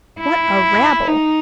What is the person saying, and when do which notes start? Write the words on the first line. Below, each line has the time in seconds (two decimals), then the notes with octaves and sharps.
What a rabble!
0.20 E4
1.08 D#4